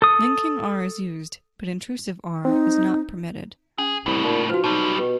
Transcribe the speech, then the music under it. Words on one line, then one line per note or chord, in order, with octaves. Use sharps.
Linking R is used, but intrusive R is not permitted.
A4 D#6
C4 D#4
C#4 G#4
C2 A2 C#3
A#2 D#4
F3 F#4 B4
B1 B2 G3 A5
B2 G4